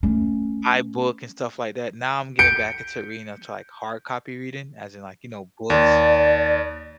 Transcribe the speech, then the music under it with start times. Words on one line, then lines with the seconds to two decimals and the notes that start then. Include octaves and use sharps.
iBook and stuff like that, now I'm getting back into reading into, like, hard copy reading, as in, like, you know, books
0.03 A3 C#4
2.39 G6 C#7 D7
5.70 D#2 D5